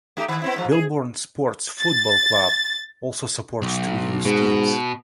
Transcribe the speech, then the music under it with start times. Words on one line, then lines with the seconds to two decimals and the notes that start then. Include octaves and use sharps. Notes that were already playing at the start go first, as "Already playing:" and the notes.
Milborne Sports Football Club also supports two youth teams.
0.17 A3 D#4 G4
0.28 D#3
0.42 B3 C4 E4
0.56 G#2 F3
0.72 G#4
1.80 A6
3.62 B1
4.25 G#2 B2